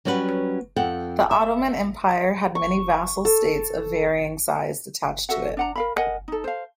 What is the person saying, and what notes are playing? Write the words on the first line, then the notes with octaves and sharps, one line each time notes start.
The Ottoman Empire had many vassal states of varying size attached to it.
F#3 G3 C#4 F#4 B4
F2 A4 F#5 G5
E5
C#6
A4
F#4 A4 E5 F#5
D4 F#5 A#5
A#4 F5 B5
A#4 D#5 F#5 G#5
D#4 A4
C5 F5